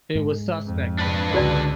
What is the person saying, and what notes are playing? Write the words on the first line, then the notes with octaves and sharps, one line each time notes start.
It was suspect, it was suspect.
G#2
F2
D4 B4
C#2 D3 F#4 D5 A5